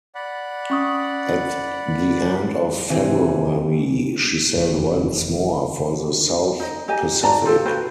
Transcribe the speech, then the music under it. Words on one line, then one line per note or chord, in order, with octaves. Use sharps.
At the end of February, she sailed once more for the South Pacific.
D5 F#5 B5
C#4 C#6 D#6
C3 E3
F1 E2 E3
D#4 D#5
D#4 G4 D#5 G#5
F#4 D5 A5 A#5
F4 G4 A4 F5
F#4 B4 C5 G5